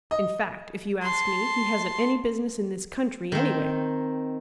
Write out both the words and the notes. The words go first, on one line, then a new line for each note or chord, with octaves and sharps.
In fact, if you ask me, he hasn't any business in this country anyway.
D#5
A5 C6
D#3 C4